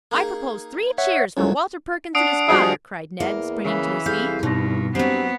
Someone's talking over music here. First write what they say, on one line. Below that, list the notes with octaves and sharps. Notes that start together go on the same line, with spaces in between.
"I propose three cheers for Walter Perkins and his father," cried Ned, springing to his feet.
A#3 D#4 G#4
C#5 E5 F#5
C2 F2 F#3 C#4
D4 F#5 D#6 C7 D7
F3 G3 F#4 G#4 D#5
E2 A#3 E5
C#3 E3
C2 G#4 A4 F5 G6
G2 B2 D#4 A#6
G2 F#3 B3 C4 C7